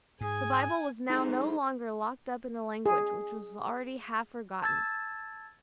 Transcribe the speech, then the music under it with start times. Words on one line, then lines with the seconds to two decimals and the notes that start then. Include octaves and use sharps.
The Bible was now no longer locked up in a language which was already half-forgotten.
0.21 G#2 G#4 G#5 G#6
1.10 D#4 G#4 A4 C5
2.86 G#4
4.63 A5 E6 G#6 A6